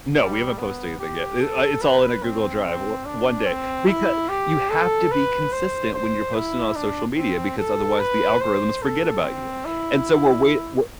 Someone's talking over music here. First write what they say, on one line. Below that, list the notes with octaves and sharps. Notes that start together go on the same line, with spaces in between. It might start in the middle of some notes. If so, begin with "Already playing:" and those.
No, we haven't posted anything yet. Eh, uh, it's all in a Google Drive. Or one day becau you have to be consistent when you're posting on social media because otherwise, the algorithms forget about you, and so, we're wait we're
G3
B3
G4
A4
B4
C4
C4
D4
C4
E4
G4
A4
B4
C5
C5
E4
D4
C4
A4
B4
C5
A4
C4
E4